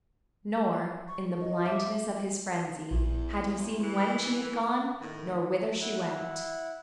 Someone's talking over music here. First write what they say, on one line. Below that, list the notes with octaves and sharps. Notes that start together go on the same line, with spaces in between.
Nor, in the blindness of his frenzy, had he seen when she had gone nor whither she went.
C#6
D#5
E5 D6
A#1 E2 E4
E3
A2 D#3
E4 F#5